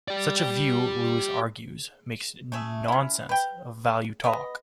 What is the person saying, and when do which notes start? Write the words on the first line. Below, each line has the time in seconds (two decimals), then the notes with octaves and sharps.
Such a view, Lewis argues, makes nonsense of value talk.
0.08 G4 D5
2.52 A3 C#4 G#4 E5
2.88 C#4 E4
3.29 B4 G5
4.24 B3 B4 D#5